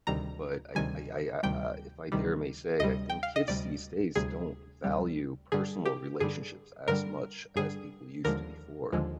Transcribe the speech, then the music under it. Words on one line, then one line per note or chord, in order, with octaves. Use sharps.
But I I I, uh, if I dare may say, I think kids these days don't value personal relationships as much as people used to before.
D2 C3 D#3 G3 A#5
D2 C3 D#3 G3 G#5
D2 C3 D#3 G3 G5
D2 C3 D#3 G3
D2 C3 G3 D#5
G5
F5
D#5
D2 C3 G3 D5
D2 C3 G3 G#4
D2 C3 G3
G2 D3 G3 G#4
G4
G2 D3 G3 G#4
G2 D3 G3 A#4
G2 D3 G3 G#4
D#2 D3 F3 G#3 A#4
D#2 D3 F3 G#3